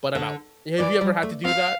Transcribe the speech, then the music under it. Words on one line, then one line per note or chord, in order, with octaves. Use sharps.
but I'm out." Have you ever had to do that?
D3
E3 D5
G3
A3
C4 F5